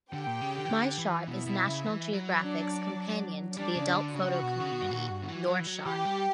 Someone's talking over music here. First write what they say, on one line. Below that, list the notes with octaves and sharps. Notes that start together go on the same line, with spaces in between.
My Shot is National Geographic's companion to the adult photo community "Your Shot".
D3 G4 G5
A#2
C#3
D3
E3
D3
E3
B2 E4 E5
B2
C#3
E3
F#3
D4 D5
G3 D4 D5
C#3
D3
C#3 F#4
B2
C#3
B2
G2
A#2
G2
D3
E3
F#3
E3
F#3
E3 G4
G3